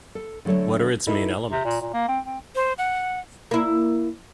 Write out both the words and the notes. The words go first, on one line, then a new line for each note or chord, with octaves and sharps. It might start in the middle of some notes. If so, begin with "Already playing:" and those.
What are its main elements?
A4
D3 F#3 A3 A4 C#5
D#4 E4 A4 B4 D#5 E5
C3
A#2
A#2
A#3
C4
C4
C5
F#5
A#3 E4